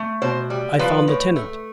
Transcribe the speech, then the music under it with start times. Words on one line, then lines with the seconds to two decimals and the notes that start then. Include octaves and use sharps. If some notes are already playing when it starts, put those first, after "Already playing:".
I found the tenant.
Already playing: A3
0.22 B2 C5
0.50 G3
0.79 F3 B4
1.08 A2
1.36 A3